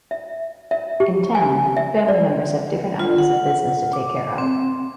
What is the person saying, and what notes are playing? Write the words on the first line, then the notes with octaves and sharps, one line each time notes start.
In town, family members have different items of business to take care of.
E5
E5
G4
G#5
E5
D5
F4
F#5
D6
C4